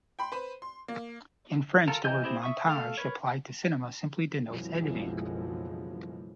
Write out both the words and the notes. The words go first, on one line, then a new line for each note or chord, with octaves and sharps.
In French the word "montage" applied to cinema simply denotes editing.
G5 B5 C6
B4 C5 B5
C6
A#3
F4 A4 A#4
E3 D#5 G#5 G6
C4 E4 G4 G#4 C5
E5 C#6 D#6
A3 A4 F5
A#4 B4 C#5
F#1 B1 F#2 E3 F3 G#3